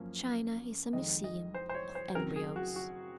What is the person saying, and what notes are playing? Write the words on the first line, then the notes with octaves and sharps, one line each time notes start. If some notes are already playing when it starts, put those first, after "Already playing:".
China is a museum of embryos.
Already playing: F#2 F3 A#3 C#4
F2 D#3 G#3 D#5
D#5
C5
C5
C#5
C5
F#2 C#3 F#3 C4 A#4
G#4
F#4
F#4